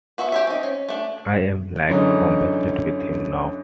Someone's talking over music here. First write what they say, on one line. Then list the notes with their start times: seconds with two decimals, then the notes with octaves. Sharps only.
I'm like obsessed with him now.
0.18 B3 F#4 E5
0.32 G4 C#5 E5
0.47 C4 D#4
0.63 C#4
0.89 A3 D4
1.89 F#2 D3 E3 G#3 C#4 D#4